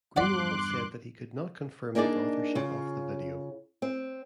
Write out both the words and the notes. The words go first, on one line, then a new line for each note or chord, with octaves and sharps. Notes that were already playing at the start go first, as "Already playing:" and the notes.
Greenwald said that he could not confirm the authorship of the video.
E2 G2 D5 F#5 C6 D6 F#6
A#3 D4 D#4 G#4 D5
C#3 F4
C4